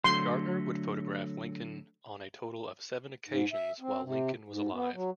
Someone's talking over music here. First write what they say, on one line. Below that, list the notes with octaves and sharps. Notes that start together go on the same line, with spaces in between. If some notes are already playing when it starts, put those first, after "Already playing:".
Gardner would photograph Lincoln on a total of seven occasions while Lincoln was alive.
D3 F#3 A3 C6
G#2
E5
C4
C3
G#2
B3
F#3